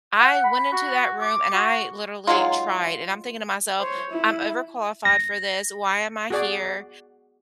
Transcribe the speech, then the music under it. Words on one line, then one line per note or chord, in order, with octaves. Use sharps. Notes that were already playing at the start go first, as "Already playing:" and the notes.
I went into that room, and I literally tried, and I'm thinking to myself, "I'm overqualified for this. Why am I here?"
F#5
B5
F#4
D6
F#4
F#3 G#3 D#4 F4
C5 C#5
E4
A#6
F#4 G#4 D5